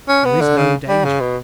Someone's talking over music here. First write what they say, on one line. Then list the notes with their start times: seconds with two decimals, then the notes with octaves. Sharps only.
"There is no danger."
0.08 C#4
0.25 B3
0.41 D3
0.57 C#3
0.89 G3
1.04 C#3
1.20 B2